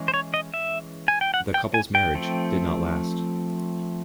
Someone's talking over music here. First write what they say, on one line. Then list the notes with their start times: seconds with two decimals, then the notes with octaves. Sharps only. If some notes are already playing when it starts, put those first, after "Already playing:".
The couple's marriage did not last.
Already playing: E3 G#3 C#4
0.08 C5
0.14 C#5
0.34 D#5
0.54 E5
1.08 G#5
1.21 G5
1.34 F#5
1.54 G5
1.74 G#5
1.95 G5
2.15 F3 A3 C4